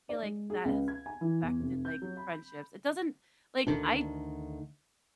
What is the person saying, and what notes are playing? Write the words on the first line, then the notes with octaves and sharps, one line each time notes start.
feel like that has affected, like, friendships, it doesn't like, I
D5
G#3
G#4
C#2
G#6
G#5
E3
E2
F1
G6
F#3
B5
D2 D3 D#3 D4